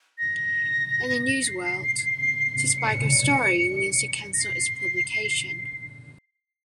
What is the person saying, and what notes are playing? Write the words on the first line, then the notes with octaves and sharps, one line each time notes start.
In the news world, to "spike" a story means to cancel its publication.
A#6
C7
C7
C#7
A#6
C7